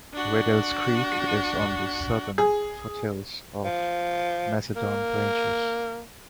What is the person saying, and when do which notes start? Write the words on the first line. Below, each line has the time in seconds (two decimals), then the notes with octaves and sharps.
Riddells Creek is on the southern foothills of the Macedon Ranges.
0.13 D4 F#4
2.38 G#4
3.65 F3
4.76 A#3